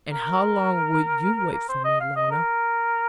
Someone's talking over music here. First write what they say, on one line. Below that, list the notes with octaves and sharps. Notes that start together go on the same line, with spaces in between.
And how long would you wait for me, Lorna?'
A#4
A#4
C5
D#5
F5
D#5
A#4